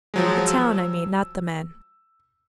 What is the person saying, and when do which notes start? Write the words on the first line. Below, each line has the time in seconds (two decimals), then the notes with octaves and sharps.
The town, I mean; not the men.
0.14 F3 F#3 G#3
0.48 E6